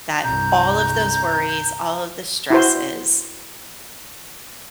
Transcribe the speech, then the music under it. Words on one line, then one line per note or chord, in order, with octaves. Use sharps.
That all of those worries, all of the stresses.
C2 G2 A#5 G6
E4 F#4 C5